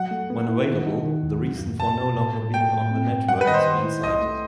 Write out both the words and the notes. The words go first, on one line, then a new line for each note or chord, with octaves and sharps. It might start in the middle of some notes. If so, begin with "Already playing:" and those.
When available, the reason for no longer being on the network has been cited.
Already playing: F#3 F#5
A3
B3
E4
D#3
D#4
D#3
D#2
F#3
F#2
B2 A5
B2
A2
A2
A3 G5
A2
C4
G2
G3 F#5
B4
D#3 D#5
C5
D#3
E4
C2 D#5
A3